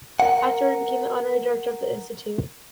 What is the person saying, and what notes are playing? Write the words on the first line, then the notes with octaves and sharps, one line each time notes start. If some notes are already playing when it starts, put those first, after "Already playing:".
Afterward he became the honorary director of the institute.
A#4 F#5